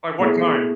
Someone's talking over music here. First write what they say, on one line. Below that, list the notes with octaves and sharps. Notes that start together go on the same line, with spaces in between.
Like, what kind?
B2 A3 E4 G#4